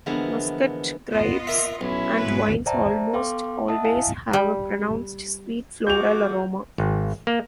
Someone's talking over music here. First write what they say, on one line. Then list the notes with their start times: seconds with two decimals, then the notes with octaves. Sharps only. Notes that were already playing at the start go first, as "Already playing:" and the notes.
Muscat grapes and wines almost always have a pronounced sweet floral aroma.
0.06 D3 E3 F3 G#3 A#3 B3
1.12 B3 F4 D#5
1.47 A#4 E5
1.81 B1 C#4 E4
2.16 G#2 B4
2.66 C5 D5 E5 G5 A5 A#5
3.13 B3 A4 F5 G5 C6 D6
3.68 D#5 E5 F#5 A5 D#6
3.84 E4 D#5 F5 G#5
4.33 G3
5.87 A3 F4 F#4 G#4 D6 G6 F7
6.78 G#1
7.27 A#3